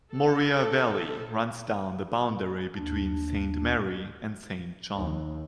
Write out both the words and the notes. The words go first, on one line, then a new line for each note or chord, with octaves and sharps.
Mourier Valley runs down the boundary between Saint Mary and Saint John.
A4
D#2 D4
D#2